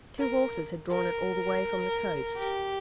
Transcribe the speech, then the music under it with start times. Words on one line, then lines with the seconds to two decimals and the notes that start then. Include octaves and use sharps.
Two horses had drawn it all the way from the coast.
0.19 A#4
0.91 A#4
2.37 G4